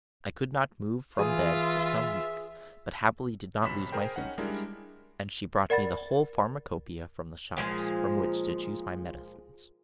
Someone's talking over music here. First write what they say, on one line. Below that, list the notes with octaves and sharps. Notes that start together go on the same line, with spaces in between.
I could not move from bed for some weeks, but happily did not lose my senses, and she brought me the whole pharmacopoeia from the shops, from which to choose my medicines.
E3 F4 G#4 E5
A#1 F#2 C3 B5 B6 E7
G#4 A#4 C5 G5
C#4 D#4 F#5
G3 G#3 D4 E4 A#4
A#4 D5 F#5 B5 A6
A#2 F3 G#3